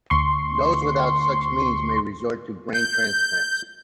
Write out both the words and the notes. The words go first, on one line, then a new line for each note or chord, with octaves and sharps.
Those without such means may resort to brain transplants.
D2 C6 C#6
G6